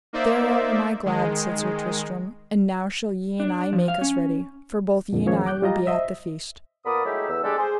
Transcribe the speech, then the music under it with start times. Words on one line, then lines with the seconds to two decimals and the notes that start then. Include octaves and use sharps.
Thereof am I glad, said Sir Tristram, and now shall ye and I make us ready, for both ye and I will be at the feast.
0.13 A#3 D#4 C5 D5 E5
1.05 D#3 G#3
3.40 D4
3.73 F3
3.88 F5
4.01 C#4
5.13 F2 A#2 D3
5.26 D#3 F3 A#3 C#4 G#4 C#5
5.46 D6 F#6 G6
5.62 G3 F4 D#5 A#5
5.87 C5 D#5 E5
6.86 A#2 B3 A#4 D5 B5 D#6
7.05 F#3 G#3 A3 D#4 E4 G4
7.29 E2 E6
7.44 D3 G3 G#3 D4 G4 A4
7.58 G#4 C5